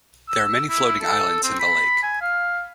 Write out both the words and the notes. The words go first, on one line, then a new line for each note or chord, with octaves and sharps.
There are many floating islands in the lake.
E6
E4
A4
C4
B5
G#5
F5